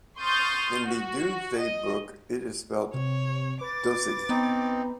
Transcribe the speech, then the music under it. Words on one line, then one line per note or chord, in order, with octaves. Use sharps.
In the Domesday Book it is spelt Dochesig.
C6 C#6 D#6 F6 G6 A6
F#4
D#5
C3 C#5
B4 D6 A6
B3 C4 D#4